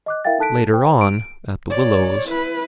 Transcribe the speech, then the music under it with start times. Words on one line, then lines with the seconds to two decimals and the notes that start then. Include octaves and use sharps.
Later on at The Willows....
0.06 D#5 D6 F#6
0.25 E4 A#4 E5 F5 G5 A6
0.39 D#4 A4 A5 F#6 B6 D7
0.72 C5 G5
1.01 D7
1.70 C#5 D5
2.28 E4 B4